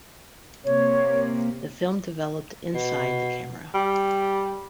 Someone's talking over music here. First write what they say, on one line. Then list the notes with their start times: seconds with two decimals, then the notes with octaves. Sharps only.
The film developed inside the camera.
0.64 C3 A#3 C#5
2.74 B2
3.74 G3